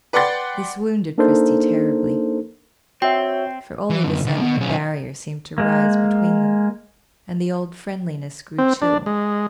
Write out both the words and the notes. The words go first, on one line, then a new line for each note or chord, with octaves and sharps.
This wounded Christie terribly; for all of a sudden a barrier seemed to rise between them, and the old friendliness grew chilled.
B4 D5 F#5 G5 C6 A6
A#3 D4 D#4 A4 A#4 C5
C4 F#4 C#5 E5 G5
E3
F#2 D3
C#2 D3
B2
B1 C#4
G#3 A#3
C4
D4
G#3